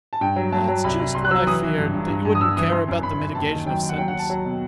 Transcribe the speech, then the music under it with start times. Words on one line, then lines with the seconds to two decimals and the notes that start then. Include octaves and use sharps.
"That's just what I feared, that you wouldn't care about the mitigation of sentence."
0.13 A5
0.21 G2 G5
0.36 F#3
0.52 F#3 A5
0.68 F#3
0.84 C2 B5
0.99 C2
1.15 C2 C6
1.25 F#6
1.31 F#3 E6
1.47 E3 D#6
1.62 E3
1.78 G2
1.94 G2
2.10 G2
2.25 G2
2.35 D#6
2.41 G2 E6
2.57 E3 D#6
2.72 E3 C6
2.88 F#2
3.03 F#2 B5
3.20 F#2
3.35 D#2 A5
3.51 D#3
3.66 F#3 G5
3.82 D#2
3.89 F#5
3.98 F#3 G5
4.08 F#5
4.14 F#3
4.19 A5
4.30 F#3
4.45 B2